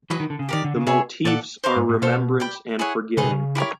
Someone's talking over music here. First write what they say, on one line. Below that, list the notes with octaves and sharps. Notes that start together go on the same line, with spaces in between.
The motifs are remembrance and forgetting.
E3 F#3 F#4 B4 D#5
D#3
D3
C#3
D#3 G4 A#4 D5
D3
C#3
C3 G#4 C#5 E5 G#5
A#2 A4 D5 F#5
C5 F5 A#5 D6
G#2
A2
B2 F4 A4 C5 F5
D5 G5 B5
E4 G#4 C#5 F#5
C#3 D#4 G#4 B4 D#5
C3
C#3
E4 G4 A#4 C#5